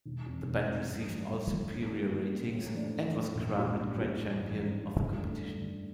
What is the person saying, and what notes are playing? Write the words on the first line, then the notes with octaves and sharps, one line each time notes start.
The band received all superior ratings and was crowned Grand Champion of the competition.
E1
E2 C3
E1
E2 C3
G2
F3 A3
G2
F3 A3
D3
G3 A#3
D3
G3 A#3
A2
F3 A3 D4
A2
F3 A3 D4
A#1
A#2 G3 D4 G4
A#1
A#2 G3 D4 G4
A1
G2 E3
A1
G2 E3
G2
D3 A3
G2
D3 A3